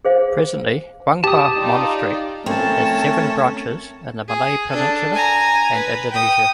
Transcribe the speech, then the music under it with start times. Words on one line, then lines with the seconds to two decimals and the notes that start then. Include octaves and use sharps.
Presently, Guanghua Monastery has seven branches in the Malay Peninsula and Indonesia.
0.05 G#4 C5 F5
1.24 G4 A5 D#6
1.57 D#4 F4 D5
2.46 A3 C4 C#4 A#4 A5
4.28 G#4
4.70 D4 A4
5.13 G#5 A#5
5.74 B4
6.11 G5 D#6